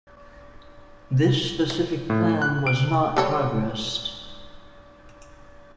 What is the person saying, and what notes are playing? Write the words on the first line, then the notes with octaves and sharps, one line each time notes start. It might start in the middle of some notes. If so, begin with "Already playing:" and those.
This specific plan was not progressed.
A2
F#6
D7
G3 A4 C#5